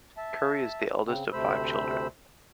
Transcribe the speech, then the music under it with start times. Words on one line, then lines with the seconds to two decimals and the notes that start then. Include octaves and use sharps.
Curry is the eldest of five children.
0.17 E5 A5
1.06 C#3 C4
1.33 D2 C3 A3 C5 B5 E6